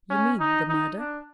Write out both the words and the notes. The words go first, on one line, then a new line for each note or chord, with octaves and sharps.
"You mean the--murder?"
C#4
D#4
D#4
D4